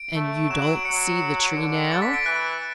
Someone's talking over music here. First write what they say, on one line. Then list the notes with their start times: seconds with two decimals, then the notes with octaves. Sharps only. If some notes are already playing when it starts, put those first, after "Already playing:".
"And you don't see the tree now?"
Already playing: D7
0.15 A3
0.50 F#3 E7
0.62 F#7
0.73 D7
0.85 F#3 C#7
1.55 D3
1.91 A6
2.02 B6
2.14 D7
2.25 E3 F#6